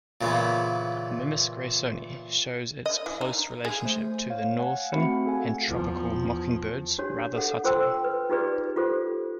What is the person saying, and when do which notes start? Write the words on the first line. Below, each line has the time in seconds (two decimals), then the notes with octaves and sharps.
"Mimus graysoni" shows its close relationship to the northern and tropical mockingbirds rather subtly.
0.21 A#2 C#3 E3 B3
2.86 D#5
3.06 E3
3.21 D#4
3.65 G#4
3.85 A3 C5
4.30 C#5 F5
4.59 F#5 G#5
4.92 A3 C4 F#4 E5 B5 C#7
5.24 F#4 G#4 A4 F5 F#5 G#5
5.68 E2 F3
6.98 D4 F#4 G4 C#5
7.36 A4 F#5
7.64 F4 A4 C5 G5 C6 E6
8.04 B4
8.29 D#4 F4 G4 G#4 B4 D5
8.76 F4 G4 A4 C5